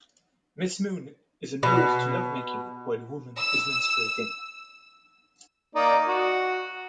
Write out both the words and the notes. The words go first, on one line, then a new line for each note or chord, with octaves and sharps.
"Miss Moon" is an ode to lovemaking while a woman is menstruating.
B2
E6
A#3 D#4 D5
F#4